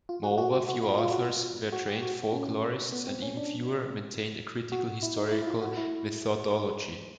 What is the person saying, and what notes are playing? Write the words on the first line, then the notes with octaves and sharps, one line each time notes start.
Moreover, few authors were trained folklorists and even fewer maintained a critical historical methodology.
F4
F#4
F#4
F#4
F#4
F4
F4
F#4
F4
F#4
G4
F#4
C#4
B3
C4
C#4
D4
F#4
E4
D#4
E4
E4
F4
F#4
E4